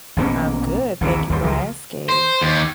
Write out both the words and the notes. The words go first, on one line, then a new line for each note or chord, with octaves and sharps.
I'm good, thank you for asking.
A#1 B2 A#3 C#4
A#1 D#2 C3 E3
D#2 G3
C#2 F3 F#3 G#3
C5
D#2